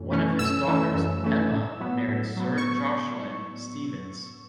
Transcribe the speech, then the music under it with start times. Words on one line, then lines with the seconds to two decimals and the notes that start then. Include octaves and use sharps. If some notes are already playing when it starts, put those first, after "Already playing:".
One of his daughters, Emma, married Sir Jocelyn Stevens.
Already playing: F#2 E3 A3 C#4
0.11 E3 A3 C#4
0.39 F#2 E6
0.67 E3 A3 C#4
0.95 F#2
1.23 E3 A3 C#4
1.51 A2
1.80 F#3 B3
2.08 A2
2.36 F#3 B3
2.57 C#6